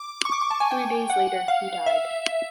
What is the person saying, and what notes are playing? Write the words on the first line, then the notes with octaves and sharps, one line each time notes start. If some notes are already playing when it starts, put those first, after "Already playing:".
Three days later, he died.
Already playing: D6
C#6
D6
C#6
A5
G#5
G5
F#5
F5
E5